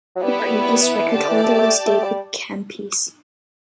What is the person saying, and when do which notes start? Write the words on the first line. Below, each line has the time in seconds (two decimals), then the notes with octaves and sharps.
The previous record holder was David Campese.
0.16 F#3
0.22 G3 B3 E4 B4
0.41 A3
0.45 G3
0.68 G3
0.82 E3
0.98 E3
1.13 D3 G4 D5 A5
1.28 E3
1.44 A3
1.58 A3
1.86 A3
2.04 G3